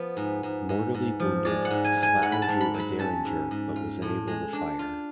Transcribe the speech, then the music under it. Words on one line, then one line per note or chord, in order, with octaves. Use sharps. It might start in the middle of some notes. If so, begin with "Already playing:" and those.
Mortally wounded, Slough drew a derringer but was unable to fire.
Already playing: F3 B3
G#2
G#2
G#2
G#2
F3
G#3 D5
F#5
G#2
G#5
G#2
G#5
G#2 F#5
B5
A5
G#2
B5
F#3
B5
C#4 A5
G#2
G#2
F4
A2
G#3
D4
F4